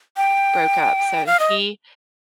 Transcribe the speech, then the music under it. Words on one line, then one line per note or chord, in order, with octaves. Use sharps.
broke up, so, he
G5
F5
D#5